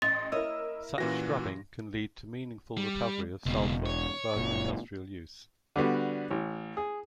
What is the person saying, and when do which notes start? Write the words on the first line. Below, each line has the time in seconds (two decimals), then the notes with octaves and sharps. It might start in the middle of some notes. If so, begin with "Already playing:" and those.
Such scrubbing can lead to meaningful recovery of sulfur for further industrial use.
0.02 A1 D#5 C6 A6
0.32 A#3 E4 A#4 C#5 D#5 E6
0.98 A#2 E3 C#4 F#4 G4 A#6
2.77 G3
3.46 E1 C#2 B2
3.86 C#5
4.37 F#1 A#2
5.76 D3 G3 B3 F#4
6.31 A1
6.77 G#4